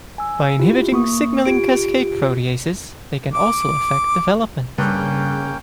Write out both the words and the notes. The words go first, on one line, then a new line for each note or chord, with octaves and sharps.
By inhibiting signalling cascade proteases, they can also affect development.
G#5 E6
E4 F4 G4
A#3 C#6 D#6
F4 G4 D7
D6
G2 C#3 A#3 C#4 G5